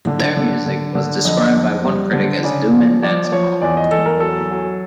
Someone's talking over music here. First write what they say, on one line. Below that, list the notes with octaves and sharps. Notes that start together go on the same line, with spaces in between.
Their music was described by one critic as doom-and-dance-pop.
D3
D3
D3
D3
F2 D#5
F2
G3
D3
C#3 D5
F3
F3 D5
D5
F3 C#5
E2 D5
D#5
E2 A4
A#4
F#3 A4
F#3